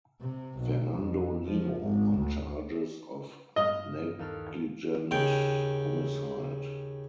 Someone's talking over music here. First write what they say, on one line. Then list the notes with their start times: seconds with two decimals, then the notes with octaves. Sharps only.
Fernando Nino on charges of negligent homicide.
0.21 C3
0.59 B1
0.98 F2
1.45 F3
1.82 G#1
2.18 D2
3.56 G2 D#5 F6
4.19 D#2 A4 F6
5.11 D#2 C#3 G5